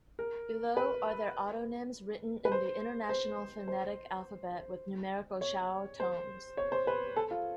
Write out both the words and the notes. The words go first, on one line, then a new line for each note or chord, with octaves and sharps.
Below are their autonyms written in the International Phonetic Alphabet with numerical Chao tones.
A#4
B4
B4
C5
C5
C5
C#5
C5
C#5
C5
B4
A4
F4